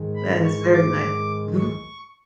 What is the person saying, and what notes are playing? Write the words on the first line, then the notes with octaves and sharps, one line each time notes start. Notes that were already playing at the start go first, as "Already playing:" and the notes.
That is very nice mhm.
Already playing: G#2 D#3 G#3
B5
C#6
D6
C#6